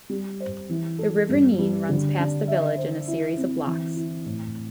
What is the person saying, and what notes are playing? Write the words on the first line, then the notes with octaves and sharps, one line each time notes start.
The River Nene runs past the village in a series of locks.
G3
C5
E3
A4
G2
G3
D3
D4
E5
C5
E4
C4
E3
E4
A2